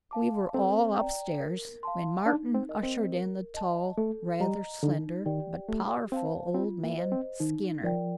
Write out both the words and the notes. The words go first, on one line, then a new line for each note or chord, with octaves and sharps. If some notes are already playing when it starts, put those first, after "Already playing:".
We were all upstairs when Martin ushered in the tall, rather slender, but powerful old man, Skinner.
F5 A5 D6
C4 A4
D5 G5 A#5
A#4
F5 A5 C6
D4 D#4
C4
A#4 D#5
C4
A#4
D#5 A5
A3 A4
G3 D#5 A#5
D3 D#4
D#3 G4 D5 G5
A3 G4
C4 C5 F5 A5
C4 F4
A#3
C5 D#5
C4
D#3 D#4
F3 A#4 D5 G5